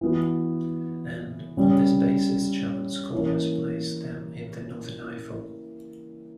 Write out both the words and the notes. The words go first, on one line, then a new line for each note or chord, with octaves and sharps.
And "on this basis German scholars place them in the northern Eifel".
E3 B3 F#4
C#3 G3 C#4
E3 A#3 C#4